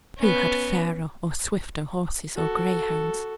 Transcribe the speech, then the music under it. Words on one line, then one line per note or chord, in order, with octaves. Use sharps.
Who had fairer or swifter horses or greyhounds?
B3 C#4
F#4 A4